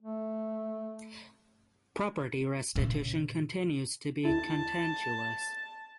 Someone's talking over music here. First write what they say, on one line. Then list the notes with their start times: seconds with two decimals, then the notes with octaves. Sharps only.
Property restitution continues to be contentious.
0.02 A3
2.75 A#2 C#3
4.25 D#2 D3 E4 A5